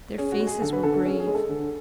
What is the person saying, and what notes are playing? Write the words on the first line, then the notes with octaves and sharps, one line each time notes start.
Their faces were grave.
C#4 G#4
F#4
G#3
G#4
D3 A4
B4
D3 A4
A4
C#4 G#4
G#4
G#3
A4
D3